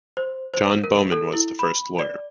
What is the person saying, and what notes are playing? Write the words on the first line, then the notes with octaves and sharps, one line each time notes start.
John Bowman was the first lawyer.
C5
C5
A#4
A4
E4
B5
D5